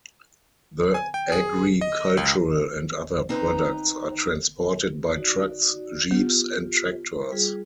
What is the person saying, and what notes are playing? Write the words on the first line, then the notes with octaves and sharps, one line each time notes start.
The agricultural and other products are transported by trucks, jeeps and tractors.
G#5
G5
G#4
D#5
C#2
C4 D#4 B4 A#5
D#4 F#4 D5
B3 F4 G4
G3 F4 G#4